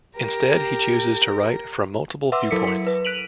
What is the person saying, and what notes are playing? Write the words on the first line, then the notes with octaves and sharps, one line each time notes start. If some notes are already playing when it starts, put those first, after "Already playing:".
Instead, he chooses to write from multiple viewpoints.
G4 A#4
B4 E5 F#5 C6 D6 E6
F#3 E4 A4 A#4 B6 C#7
B4
F#6 B6 D7 D#7 F7 F#7